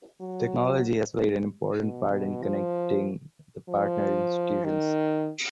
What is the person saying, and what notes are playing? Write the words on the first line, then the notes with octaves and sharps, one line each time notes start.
Technology has played an important part in connecting the partner institutions.
F#3
B2
B2
F3
F3
D#3